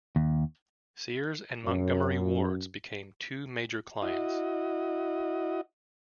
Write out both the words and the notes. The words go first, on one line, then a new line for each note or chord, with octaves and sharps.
Sears and Montgomery Wards became two major clients.
D#2
F#2
E4 F#4 D#5